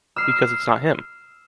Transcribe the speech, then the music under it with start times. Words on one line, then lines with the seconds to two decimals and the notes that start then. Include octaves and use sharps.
Because it's not him.
0.16 E6 F6 C7